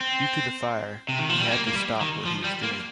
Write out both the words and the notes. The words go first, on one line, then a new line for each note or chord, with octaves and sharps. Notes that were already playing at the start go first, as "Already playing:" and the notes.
Due to the fire, he had to stop what he was doing.
C4
C3
D#3
F3
G3
A#3
A#3
G3
D#3
F3
G3
A#3